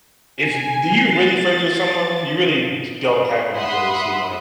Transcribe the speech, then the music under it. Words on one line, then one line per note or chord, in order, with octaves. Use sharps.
if do you're really friends with someone, you really d don't have any jealousy, like,
G#5
A6
E5 F#5 B5 C6 D#6